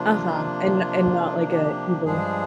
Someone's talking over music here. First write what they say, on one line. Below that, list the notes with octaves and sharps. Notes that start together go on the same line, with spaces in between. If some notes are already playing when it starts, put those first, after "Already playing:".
Uh-huh, and and not like an evil
Already playing: C3 F3 A#3 D4 F4
G4
G2 F3 G#3 D4 G#4